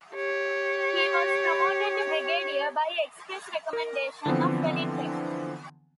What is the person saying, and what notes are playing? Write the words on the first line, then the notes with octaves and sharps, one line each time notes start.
He was promoted to Brigadier by express recommendation of Wellington.
G4 C#5
A#4
D3 E3 F3 B3 C4